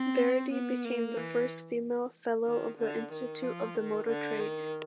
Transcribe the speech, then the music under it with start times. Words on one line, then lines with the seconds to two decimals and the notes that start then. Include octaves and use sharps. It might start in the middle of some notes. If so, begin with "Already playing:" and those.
Verity became the first female Fellow of the Institute of the Motor Trade.
Already playing: C4
0.53 B3
0.85 A#3
1.17 E3
2.46 D#3
2.78 D3
3.11 D#3
3.43 F3
3.75 D#3
4.08 D3
4.40 D#3